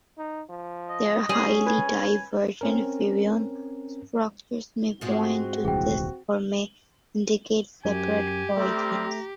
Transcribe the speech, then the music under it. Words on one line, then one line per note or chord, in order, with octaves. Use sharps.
Their highly divergent virion structures may point to this or may indicate separate origins.
D#4
F3
D#5
G3 C#4 G#4 C5
B4 G#5
C4 C#4 A#4
G#2 G#3 C4 F4 F#4
D#1 C2 E3 G#4 G5
F#2 G4 G#5
C3 G3 A3 C4 A#5